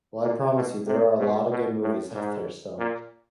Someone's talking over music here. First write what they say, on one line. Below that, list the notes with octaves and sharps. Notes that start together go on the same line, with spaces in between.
Well, I promise you, there are a lotta good movies out there, so
A#2
B2
C3
B2
B2
A2
G#2
A#2